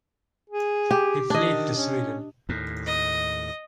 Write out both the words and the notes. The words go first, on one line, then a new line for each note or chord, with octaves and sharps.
He fled to Sweden.
G#4
G4
D#3 D4 D#5
C#4
D#2 A2
D#5